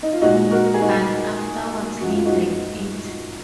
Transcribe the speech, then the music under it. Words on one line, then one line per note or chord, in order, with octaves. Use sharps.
But afterwards he liked it.
D#4
F4
A#2 G#3 D#4 F#4
F#4 A#4
G#4
D#4 F#4
F#2 F3 G#3 F#4
F4
D#4 F#4